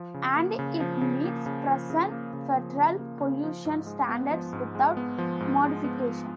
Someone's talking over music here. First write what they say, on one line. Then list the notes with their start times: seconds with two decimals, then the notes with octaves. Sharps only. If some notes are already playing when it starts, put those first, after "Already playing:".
And it meets present federal pollution standards without modification.
Already playing: F3
0.14 C#3
0.36 A#3
0.59 C#3
0.80 F3
1.01 C#3
1.24 A#3
1.46 C#3
1.67 F3
1.90 C#3
2.12 A#3
2.33 C#3
2.56 F3
2.77 C#3
2.99 A#3
3.21 C#3
3.44 F3
3.65 G#2
3.86 G#3
4.09 B3
4.31 F3
4.53 G#2
4.75 G#3
4.97 B3
5.18 F3
5.40 G#2
5.63 G#3
5.84 B3
6.06 F3